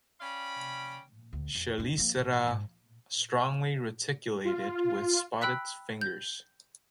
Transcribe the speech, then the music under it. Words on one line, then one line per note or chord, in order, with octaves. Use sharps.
Chelicera strongly reticulated with spotted fingers.
C#4 D5 F5 G5 B5
D2
F2
F2 D4
F3 A#3
A1
G#2
F4
G5 B5 E6 F#6 B6
G6